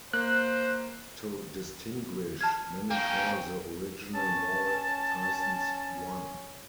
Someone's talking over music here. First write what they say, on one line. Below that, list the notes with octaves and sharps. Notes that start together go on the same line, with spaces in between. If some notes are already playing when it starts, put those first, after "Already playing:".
To distinguish, many call the original mall Tysons One.
A#3 C5 F#6
A5 F6 G#6
A#3 C#4 G5
C#4 A5